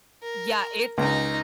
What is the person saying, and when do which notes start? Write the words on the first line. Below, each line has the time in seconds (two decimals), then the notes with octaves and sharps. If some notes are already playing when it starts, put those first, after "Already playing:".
Yeah, it
0.22 A#4
0.98 C#2 D#4 A#5